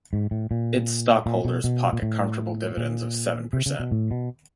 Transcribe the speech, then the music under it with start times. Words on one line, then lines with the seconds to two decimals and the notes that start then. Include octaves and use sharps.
Its stockholders pocket comfortable dividends of seven per cent.
0.13 G#2
0.31 A2
0.51 A#2
1.26 A#2
1.45 B2
1.64 B2
1.93 A#2
2.02 A2
2.77 A#2
3.53 C3
3.66 C#3
3.80 B2
3.91 A2
4.11 B2